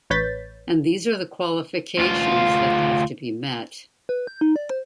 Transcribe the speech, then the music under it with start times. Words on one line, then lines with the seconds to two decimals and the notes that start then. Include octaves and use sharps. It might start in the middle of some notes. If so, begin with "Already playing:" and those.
And these are the qualifications that have to be met.
0.10 A1 B4 C#5 G6 A6 B6
1.98 D2 F4
4.09 B4
4.27 G6
4.41 D#4
4.56 D5
4.70 C5